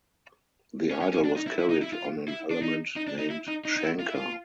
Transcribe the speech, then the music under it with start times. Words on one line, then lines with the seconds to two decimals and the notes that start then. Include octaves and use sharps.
The idol was carried on an element named Shankar.
0.91 C#4
1.02 C#4
1.13 C#4
1.24 D4
1.36 D#4
1.47 E4
1.59 E4
1.70 D#4
1.82 E4
1.93 F4
2.28 E4
2.51 D4
2.62 D#4
2.96 D#4
3.08 D4
3.19 D#4
3.30 E4
3.48 D#4
3.65 D#4
3.77 D#4
3.83 E4
4.00 F4
4.07 E4
4.15 F4